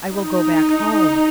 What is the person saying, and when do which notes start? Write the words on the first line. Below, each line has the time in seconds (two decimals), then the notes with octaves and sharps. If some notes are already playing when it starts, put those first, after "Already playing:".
I will go back home.
0.13 D#4